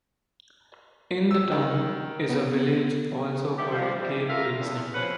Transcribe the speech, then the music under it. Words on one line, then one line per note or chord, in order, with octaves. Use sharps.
In the town is a village also called Cape Vincent.
E6
D#3
B3
D3 G#3 B3 E4 G4
F3 G3
G#2 E3 F3 G3
F4 F#4 A4 A#4 E5 F5
E2
C3 F3 C#4 B4 F#5